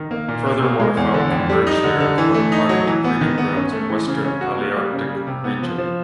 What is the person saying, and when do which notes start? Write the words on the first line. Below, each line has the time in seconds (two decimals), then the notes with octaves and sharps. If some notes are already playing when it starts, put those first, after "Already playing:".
Further waterfowl converge here before departing to breeding grounds in western Palearctic region.
Already playing: D#3
0.11 A#3
0.28 A#2
0.46 A#3
0.63 B2
0.80 G#3
0.97 E2
1.14 D3
1.31 F2
1.50 G3
1.67 D#4
1.84 D3
2.00 D3
2.18 E3
2.34 A3
2.52 D#4
2.69 F#3
2.87 E3
3.04 B3
3.21 D#3
3.38 B3
3.56 C#4
3.72 A3
3.90 E3
4.07 C#3
4.24 C#4
4.41 F#4
4.58 A#3
4.76 G3
4.93 C#3
5.10 G3
5.27 C3
5.44 B3
5.62 F3
5.78 F3